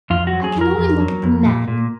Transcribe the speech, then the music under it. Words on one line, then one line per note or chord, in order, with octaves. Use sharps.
I can only look at the men.
F2 F4
F#4
F#3
G#4
F2
A#4
F2
F#3
F2
A#2
A#2